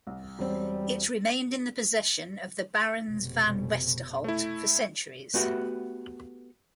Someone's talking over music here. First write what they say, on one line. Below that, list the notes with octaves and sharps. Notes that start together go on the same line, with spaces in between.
It remained in the possession of the barons Van Westerholt for centuries.
C2
E1 G3 C4
F1 B2
A3 E4
A3 B3 F#4 G4 E5